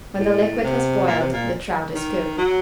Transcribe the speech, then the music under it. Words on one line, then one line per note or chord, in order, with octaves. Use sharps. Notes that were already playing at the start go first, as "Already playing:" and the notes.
When the liquid has boiled the trout is cooked.
A2
C3
A#2
C3
A#2
D#3
F#3